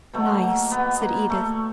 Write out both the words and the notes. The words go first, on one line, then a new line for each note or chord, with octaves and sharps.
"Nice!" said Edith.
B2 F#3 A3
A#3
B3
A#3
A3